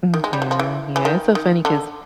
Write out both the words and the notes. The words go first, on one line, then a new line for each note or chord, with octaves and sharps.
Mm, yeah, yeah, it's so funny 'cause
D#3
G#3
G3
F#3
F3
E3
E3
D#3
D#3
D3